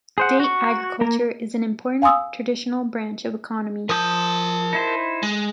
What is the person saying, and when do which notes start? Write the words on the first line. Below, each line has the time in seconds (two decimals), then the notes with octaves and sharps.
Date agriculture is an important traditional branch of economy.
0.18 G#4 C5 F#5
0.40 F#4 C#6
1.01 A#3 A#4
2.02 F5 G#5 C6 D#6 E6
3.89 F3 A#4 A5 D#6 G6
4.73 D#4 E4 C5
5.23 G#3